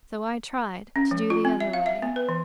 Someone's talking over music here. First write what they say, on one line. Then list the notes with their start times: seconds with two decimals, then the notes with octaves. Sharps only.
So I tried--to do the other way.
0.96 C#4
1.11 F3
1.30 F4
1.45 C4
1.60 E5
1.73 F5
1.86 E5
2.02 B3
2.16 B4
2.29 E3